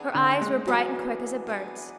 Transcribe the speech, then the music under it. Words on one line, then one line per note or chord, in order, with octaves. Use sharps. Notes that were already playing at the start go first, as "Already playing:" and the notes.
Her eyes were bright and quick as a bird's.
Already playing: E3 B3 D4 G#4
D3
G#3
E3 F#3 B3 D4 G#4
E3 B3 D4 G#4